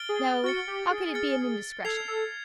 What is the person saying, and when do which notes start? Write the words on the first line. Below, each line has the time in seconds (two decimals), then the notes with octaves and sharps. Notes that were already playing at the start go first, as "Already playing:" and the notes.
No, how could it be an indiscretion?...
Already playing: F6 A6 D7 G7
0.09 G#4
0.44 F#4 F6 A6 C#7
0.68 G4
0.90 G#4
1.14 F6 A6 C#7
1.84 A4 G#6 C7 F7
2.08 A4